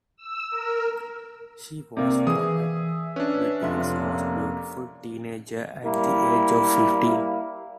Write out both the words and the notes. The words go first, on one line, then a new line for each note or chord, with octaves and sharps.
She was voted Britain's most beautiful teenager at the age of fifteen.
E6
A#4
C3 A#3 D5
E3 G#4 E5 D#6
C#4 D4 B4
F1 F4 E5
A#3
G3 A#3 E4